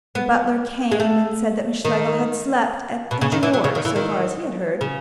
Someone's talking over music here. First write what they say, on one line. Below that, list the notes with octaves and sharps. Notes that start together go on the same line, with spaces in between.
The butler came, and said that Miss Schlegel had slept at the George, so far as he had heard.
B3
G#3
A3
D#3
B2
C#3
D#3
E3
F#3
C#3
D#3
E3
D#3
C#3